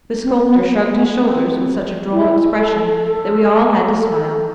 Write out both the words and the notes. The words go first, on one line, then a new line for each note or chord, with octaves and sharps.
The Sculptor shrugged his shoulders with such a droll expression that we all had to smile.
C4
B3
A#3
B3
C4
E4
A4
A4
A4